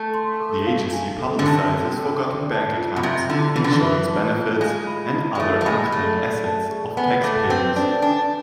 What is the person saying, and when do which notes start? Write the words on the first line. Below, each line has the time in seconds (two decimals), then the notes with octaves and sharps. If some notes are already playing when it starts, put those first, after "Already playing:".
The agency publicizes forgotten bank accounts, insurance benefits and other unclaimed assets of taxpayers.
Already playing: A3 A5
0.14 C6
0.40 A4
0.67 F5
0.93 G#5
1.19 A4
1.39 D3
1.46 C3 A5
1.72 A4
1.98 A4
2.25 D5
2.51 A5
2.77 F4
2.96 B2
3.03 C3 E5
3.30 D3 E4
3.56 E3 E4
3.64 D3
3.73 E3
3.82 E5
4.08 A5
4.34 F4
4.61 G#3 F5
4.87 B5
5.13 E4
5.35 G#3
5.40 A3 E5
5.61 A3
5.65 G#3 B5
5.92 A3 G#4
6.19 D5
6.44 A5
6.71 G#4
6.97 B3 G#5
7.24 A3 D6
7.50 C4 B4
7.76 D4 D5
8.02 D4 G#5